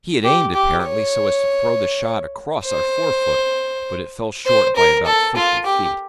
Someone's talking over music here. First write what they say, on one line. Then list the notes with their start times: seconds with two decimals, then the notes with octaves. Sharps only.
He had aimed apparently so as to throw the shot across our fore-foot; but it fell short by about fifty feet.
0.24 G4
0.54 G4
0.84 C#5
2.65 C5
4.46 C5
4.76 A#4
5.06 A4
5.36 F4
5.66 G4